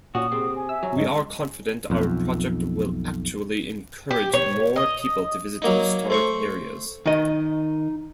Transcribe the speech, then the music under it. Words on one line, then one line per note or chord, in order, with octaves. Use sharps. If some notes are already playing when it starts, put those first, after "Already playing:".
We are confident our project will actually encourage more people to visit historic areas.
A#2 C#4 F#4 D#6
C3 C4 G#4
G#5
E5 E6
F#3
G#2 G#3 D#5
B1 F2
G4
C#5
D#5
F#3 A#3 D#4
A3 C5 C#6
D#3 D#4 D#5